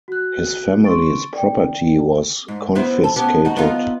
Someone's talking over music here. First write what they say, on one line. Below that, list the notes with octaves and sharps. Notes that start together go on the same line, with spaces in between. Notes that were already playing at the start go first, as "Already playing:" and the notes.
His family's property was confiscated.
F#4 F#6
C6 C#6 A6 D7
D5 G5
G#2
B3 E4 C5
A4
B3 C#4 G4
D#4 F#4
B3 D#4 F4